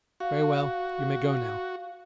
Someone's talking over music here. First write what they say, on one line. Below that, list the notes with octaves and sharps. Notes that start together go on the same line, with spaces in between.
"Very well, you may go now."
F#4 F5